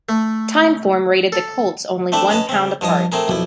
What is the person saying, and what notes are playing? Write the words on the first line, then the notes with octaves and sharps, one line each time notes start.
Timeform rated the colts only one pound apart.
A3
A4
A3 C4 D4 E5
C#4 B4 D#5 A5
C#3 C4
G2 F3 D#5 D#6
A3 C4 G#4 A#4
B1 F2 E4